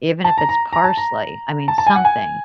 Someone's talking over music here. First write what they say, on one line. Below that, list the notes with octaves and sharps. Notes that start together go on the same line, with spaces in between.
Even if it's parsley, I mean something.
A5
A#5
A#5
A#5
A5
A#5
A5
A5
G#5
F#5
G#5